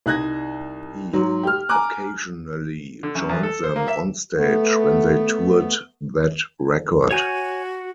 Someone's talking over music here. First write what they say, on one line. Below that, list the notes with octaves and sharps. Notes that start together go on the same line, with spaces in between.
He occasionally joined them on stage when they toured that record.
C2 D#4 F#6 G#6 A#6
G#2 F#3
G4 F6
G#5 A#5 D6 F#6
D3
F#2
E2
A4
C5
A#3
E5
A3 B3
F#4 C#5 G#5 G6